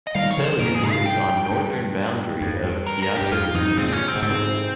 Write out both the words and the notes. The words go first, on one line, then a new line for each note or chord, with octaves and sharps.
Seseglio is on northern boundary of Chiasso municipality.
D#5
D#3 G3 F5
C#5
C#3 F3
C5
A#2 C#3 A#4
G#4
G#2 C3
F5
G2 G5
G2
G2
F2
G2
A#4
A#4
G4
G2
F2 F4
F2 G#2 D#4
A#2 C#3 C4
C#4
C4
C#3
G#2 C3 C4